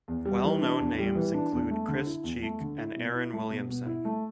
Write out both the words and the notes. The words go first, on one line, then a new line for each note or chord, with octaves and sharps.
Well-known names include cris cheek and Aaron Williamson.
E2
G3
E3
D4
E2
G3
E3
D4
E2
A3
D3
E4
E2
A3
D3
E4
B2
E4
A3
B2
B2
E4
A3